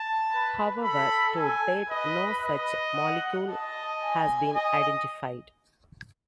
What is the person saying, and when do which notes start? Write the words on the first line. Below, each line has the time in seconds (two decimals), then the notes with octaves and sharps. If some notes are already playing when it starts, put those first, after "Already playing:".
However, to date no such molecule has been identified.
Already playing: A5
0.31 B4
0.84 A4 B5
1.37 G#5
1.90 B4 D#5
2.44 D#5
2.97 F#5
3.49 D#5 A5
4.03 G#5
4.55 D#5